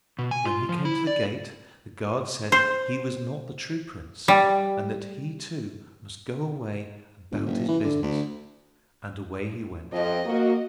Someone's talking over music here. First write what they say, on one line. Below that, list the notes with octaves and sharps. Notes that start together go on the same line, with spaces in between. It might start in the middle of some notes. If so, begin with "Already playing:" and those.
But when he came to the gate the guards said he was not the true prince, and that he too must go away about his business; and away he went.
B2
G#5
F4
F3
E4
D5
C5
G3
G1
F#1
E3
D3
D2
F2 D#5
A#3 F#4